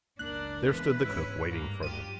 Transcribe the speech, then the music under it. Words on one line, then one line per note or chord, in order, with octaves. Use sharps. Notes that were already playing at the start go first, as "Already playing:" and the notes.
There stood the cook waiting for them.
F#1 C#2 A#3 D4 A#4 F#6
E3 G#3 B3 B4
G#2 C#4 E4
G2 A#3
F#3 F4 G4 D#7